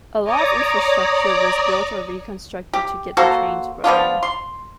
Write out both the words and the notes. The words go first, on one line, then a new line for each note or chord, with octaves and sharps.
A lot of infrastructure was built or reconstructed to get the trains rolling.
C#5 D5 A#5 D6 D#6
G4
A#3 F#4 A4 C5
F3 B3 D4 F4
C6